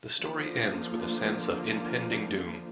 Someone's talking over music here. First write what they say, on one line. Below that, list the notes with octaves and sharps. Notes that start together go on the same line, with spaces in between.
The story ends with a sense of impending doom.
D3 F3 A#3 F4